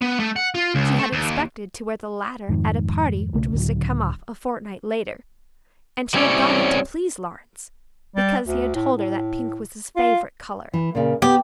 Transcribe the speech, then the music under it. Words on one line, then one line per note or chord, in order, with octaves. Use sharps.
She had expected to wear the latter at a party which was to come off a fortnight later, and she had got it to please Lawrence, because he had told her that pink was his favourite colour.
B3
A3
F#5
F4
C#2
A3
D#2
F2 G#2 D#3
B1 C#3 A3
C#2 A2 D3 F#3
G3 C4 C#4 E4 C#5 D5
G3
D2
A2
A2
F4
E3
A#2 C#3
B3 G4